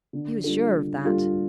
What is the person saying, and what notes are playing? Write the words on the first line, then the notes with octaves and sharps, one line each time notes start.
He was sure of that.
D3
G3 D4 F4 A4
D3
G3 D4 F4 A4